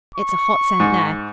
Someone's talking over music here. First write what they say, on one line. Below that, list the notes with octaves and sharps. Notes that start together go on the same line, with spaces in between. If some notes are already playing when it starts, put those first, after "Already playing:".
It's a hot scent there.
C#6
G#2